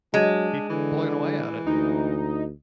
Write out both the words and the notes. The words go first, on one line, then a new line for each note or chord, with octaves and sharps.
keep plugging away at it.
F#3 G#3 D4
D3 E3
D2 D#4